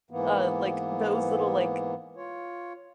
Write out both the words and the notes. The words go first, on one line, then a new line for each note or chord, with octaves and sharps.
uh, like those little like,
G#2 E3 A#3 B3
F4 C#5